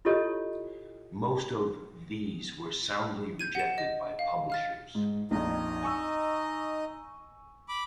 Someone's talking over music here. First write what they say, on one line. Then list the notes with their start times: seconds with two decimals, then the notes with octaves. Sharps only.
Most of these were soundly rejected by publishers.
0.05 E4 F4 G4 A4 C#5 D#5
3.39 G6 G#6 D#7
3.55 F#5 E7
3.78 D#5
4.19 F5
4.50 F5 F6 A6
4.95 G#2
5.31 A#1 F2 D#4 D#5
5.83 G#5 C#6 E6
7.69 B5 D6